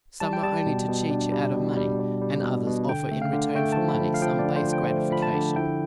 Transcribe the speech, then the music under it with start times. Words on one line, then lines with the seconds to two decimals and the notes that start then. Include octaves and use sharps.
Some are only to cheat you out of money, and others offer in return for money some base gratification.
0.20 G3 A5
0.33 G5
0.43 G3 A5
0.66 B2
0.88 B2
1.10 D4
1.32 G3
1.55 B2
1.77 G3
1.99 G3
2.22 G3
2.44 B2
2.67 B2
2.88 D3 G5
3.11 A3
3.22 F5
3.33 D3
3.55 A3 G5
3.72 F3 A5
3.88 B5
4.00 F3
4.14 F5
4.22 F3 G5
4.39 D5
4.45 D3
4.56 C5
4.67 F3
4.73 G5
4.90 A3
5.12 F3 B5
5.22 A5
5.34 D3
5.56 E4 G5